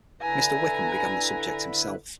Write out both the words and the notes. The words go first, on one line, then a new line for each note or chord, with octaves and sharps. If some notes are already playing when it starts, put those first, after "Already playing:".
Mr. Wickham began the subject himself.
D3 E4 B4 G#5 A#5